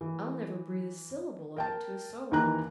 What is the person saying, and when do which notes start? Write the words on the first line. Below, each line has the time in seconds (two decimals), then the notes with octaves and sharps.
I'll never breathe a syllable of it to a soul!
0.01 E3
1.57 A#4 G5 A5
2.31 D#2 D#3 E3 A#5 F#6